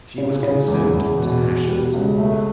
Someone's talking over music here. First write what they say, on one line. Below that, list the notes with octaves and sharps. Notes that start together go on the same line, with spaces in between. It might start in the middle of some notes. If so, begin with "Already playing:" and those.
She was consumed to ashes.
C#3
C#3
E2
E2
B2
B2
G3
C#2
A3